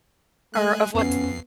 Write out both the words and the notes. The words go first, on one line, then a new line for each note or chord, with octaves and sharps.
or of what's
G#3 A3 G#5 F#6
F2 B3 C#4 C7